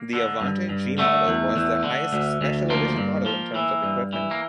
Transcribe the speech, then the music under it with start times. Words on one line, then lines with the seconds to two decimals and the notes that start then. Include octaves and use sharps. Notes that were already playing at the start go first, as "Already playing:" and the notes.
The Avante G model was the highest special edition model in terms of equipment.
Already playing: A#3
0.13 D3
0.41 G2
0.69 G2
0.98 D3 A3
1.27 E2
1.56 E2
1.84 D3
2.13 D2
2.41 D2
2.70 F3 A#3
2.98 G2
3.26 F3
3.55 E3
3.84 G2
4.13 E3
4.31 A#3